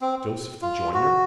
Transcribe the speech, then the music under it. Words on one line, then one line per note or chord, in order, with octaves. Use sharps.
Joseph the Joiner?
C4
F4
F#4